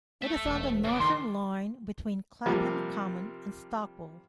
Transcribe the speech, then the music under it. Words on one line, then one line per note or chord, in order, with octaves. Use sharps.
It is on the Northern line between Clapham Common and Stockwell.
A3 E5
E1
C#3 D4
D#3 C6
C3 F3 G3 A#3